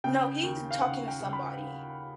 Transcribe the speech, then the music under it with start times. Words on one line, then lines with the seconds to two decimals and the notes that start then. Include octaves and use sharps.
No. He's talking to somebody.
0.04 C#3 G5
0.43 D#2
0.71 F5
0.81 C#3 F#5
1.08 G5
1.21 C#3
1.33 B5